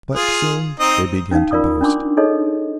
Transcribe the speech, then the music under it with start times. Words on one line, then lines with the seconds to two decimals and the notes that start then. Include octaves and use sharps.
But soon they began to boast.
0.15 F4 G#4
0.80 C4 D#4 D#5
1.31 C#4 D#4 F5
1.51 F4 A#4 D5 C#6 D#6
1.81 C#4 D4 C6 D6
2.17 D#4 G#4 A4 C#5 D#5